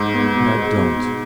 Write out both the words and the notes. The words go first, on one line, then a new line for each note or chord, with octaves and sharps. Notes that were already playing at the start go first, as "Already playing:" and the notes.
But I don't.
Already playing: G#2
B3
B2
G#3
B2
B2